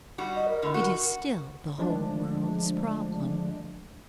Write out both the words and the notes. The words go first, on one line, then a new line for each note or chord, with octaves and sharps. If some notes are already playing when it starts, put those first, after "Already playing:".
It is still the whole world's problem.
G3 F#4
D#5
A#4
A2 D3
F#4
D3 F3 G#3 A3 D4